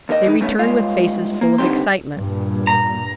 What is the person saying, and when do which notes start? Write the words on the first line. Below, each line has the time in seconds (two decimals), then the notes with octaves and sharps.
They returned with faces full of excitement.
0.09 D#2 A#4 D#5
0.26 E3 D#4
0.41 G2 D#3 E3 A3 B3 C#4
0.58 G2 G#3 F4 F5
1.41 A#3
1.58 G2 D3 D#3 G3 C4 C6
2.15 G2 A#2
2.67 A#5